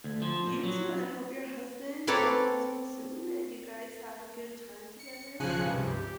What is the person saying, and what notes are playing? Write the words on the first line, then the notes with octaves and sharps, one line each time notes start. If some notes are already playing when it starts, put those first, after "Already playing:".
You too, and I hope your husband, uh, comes home soon, and you guys have a good time together, a
D2
F3
A#2
F#3
C4 A4 B4 C#5 D5 A#5
C#7
B1 C#3 F3 G#5 F#6 C#7
C#2 G2 C3
G4